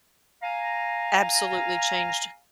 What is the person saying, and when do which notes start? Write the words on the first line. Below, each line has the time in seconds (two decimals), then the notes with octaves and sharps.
absolutely changed
0.43 F5 G#5 A#5